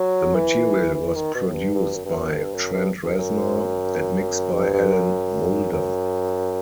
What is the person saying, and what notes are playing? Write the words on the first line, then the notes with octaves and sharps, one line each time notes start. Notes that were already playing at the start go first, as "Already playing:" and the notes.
The material was produced by Trent Reznor and mixed by Alan Moulder.
Already playing: F#3
E3
E3
D#3
B2
A2
G2
G2
F#2
G2
F#2
G2
F#2
G2
G2
F#2
G2
G2
F#2
F#2